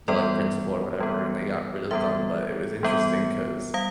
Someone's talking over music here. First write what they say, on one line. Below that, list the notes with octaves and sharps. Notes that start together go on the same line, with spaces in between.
the, like, principal or whatever, and they got rid of them, but it was interesting 'cause,
E3 G3 B3 D5
E3 G3 B3
E3 G3 B3 E5
E3 G3 B3
G3 F5